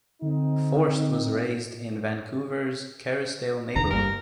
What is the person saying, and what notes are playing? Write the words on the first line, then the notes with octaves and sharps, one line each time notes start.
Forst was raised in Vancouver's Kerrisdale neighborhood.
D3 C4 D#4
A2
B1 E2 D3 A#5
G1 G3 A#3 A#4